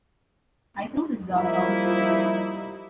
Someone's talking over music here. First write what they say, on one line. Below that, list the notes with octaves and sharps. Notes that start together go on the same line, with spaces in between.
I threw his doghouse overboard.
F3 G3 A#3 D#4 E4